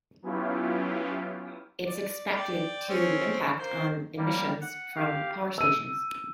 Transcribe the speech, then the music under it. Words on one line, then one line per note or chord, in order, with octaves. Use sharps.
It is expected to impact on emissions from power stations.
F#3 B3 C#4 E4 F4 G4
D5
D5 G5
C4 C#4
A#3 C5
G3 A#3
F#5
G4 F5
E6 D#7